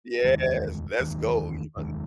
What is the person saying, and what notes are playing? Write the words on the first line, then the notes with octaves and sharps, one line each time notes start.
Yes. Let's go. You hu
F1 D#2 D#3 G#3
F1 D#2 D#3 G#3
F1 D#2 D#3 G#3